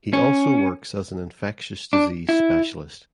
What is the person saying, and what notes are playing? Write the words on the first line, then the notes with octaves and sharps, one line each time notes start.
He also works as an infectious disease specialist.
C#4
D4
E4